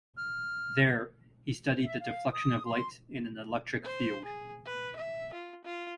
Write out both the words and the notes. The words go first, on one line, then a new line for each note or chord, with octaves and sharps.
There he studied the deflection of light in an electric field.
F6
E5
F5
D#6
C6
C5
G#4
B4
E5
F4
F4